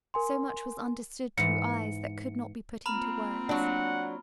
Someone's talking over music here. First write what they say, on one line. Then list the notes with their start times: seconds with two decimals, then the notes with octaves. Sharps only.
So much was understood through eyes that could not be put into words.
0.14 A#4 G#5 C6
1.38 G#2 E3 C#7
2.86 A#3 C4 F4 A#5 B5 F6
3.49 F#3 D4 F#5